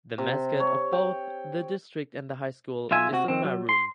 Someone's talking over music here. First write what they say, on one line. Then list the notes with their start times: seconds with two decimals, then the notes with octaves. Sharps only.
The mascot of both the district and the high school is the "Maroon".
0.18 C3
0.60 C#5
0.92 G5
2.91 B1 F4 E5 G#5
3.12 C3 F#4
3.28 D#3 C4
3.44 F#3
3.69 C6